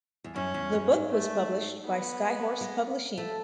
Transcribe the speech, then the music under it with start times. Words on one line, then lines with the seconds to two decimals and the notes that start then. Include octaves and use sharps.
The book was published by Skyhorse Publishing.
0.24 E2
0.35 F#2 C#4
0.54 E2
0.73 F#2
0.92 G#2
1.10 A3
1.86 B3
2.61 G#3
3.18 A3